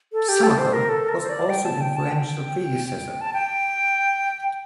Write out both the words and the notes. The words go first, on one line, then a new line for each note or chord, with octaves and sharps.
Summercon was also an influential predecessor.
A4
G4
A4
C5
A#4
A4
A#4
C5
D5
G5
A5
G5
A5
G5
A5
G5